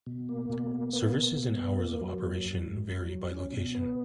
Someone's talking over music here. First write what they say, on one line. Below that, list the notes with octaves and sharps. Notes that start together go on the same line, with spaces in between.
Services and hours of operation vary by location.
B2
A#3
B2
A#3
B3
B2
B2
B3
A#3
F#3
F#3
F#2
G#2
F#3
F#3
C#4
B2
B3